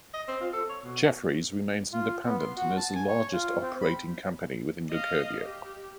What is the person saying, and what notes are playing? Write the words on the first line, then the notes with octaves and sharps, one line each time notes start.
Jefferies remains independent and is the largest operating company within Leucadia.
D#5
C4
F4
A4
C#5
B2
F4
B3
C6
F#4
A5
G#5
C#5
F4
C4
B5
D#5 F5
G4